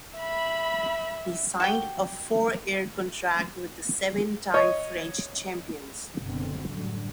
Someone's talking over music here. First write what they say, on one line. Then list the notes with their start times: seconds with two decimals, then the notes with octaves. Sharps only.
He signed a four-year contract with the seven time French champions.
0.17 E5 B5
1.60 F#4 G4 G5
4.54 C#5 D#5 C#6
6.19 F#1 B2 D3 B3 C4
6.69 F#2 A2 D3 F#3 G3